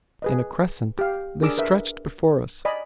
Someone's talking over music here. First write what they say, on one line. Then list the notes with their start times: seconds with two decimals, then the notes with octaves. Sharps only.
In a crescent, they stretched before us.
0.22 G#4 B4 D#5
0.99 G4 F5
1.42 D4 G#4 A#4 D6 E6
1.58 A#4 B4 E5
2.65 D5 D#5 G#5 B5